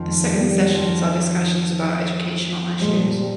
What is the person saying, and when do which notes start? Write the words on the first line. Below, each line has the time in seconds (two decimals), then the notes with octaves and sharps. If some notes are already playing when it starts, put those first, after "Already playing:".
The second session saw discussions about educational issues.
Already playing: F2 D#3 F3
0.32 G3
0.73 F3
2.80 A#2 F3 G#3
2.94 G3
3.08 F3
3.21 G3